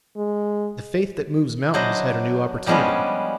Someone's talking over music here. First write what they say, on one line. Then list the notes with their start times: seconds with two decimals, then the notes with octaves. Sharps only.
The faith that "moves mountains" had a new opportunity.
0.17 G#3
1.74 F#3 D4 E4 C5 D#5
2.66 F3 G3 G#3 B3 C#4 D4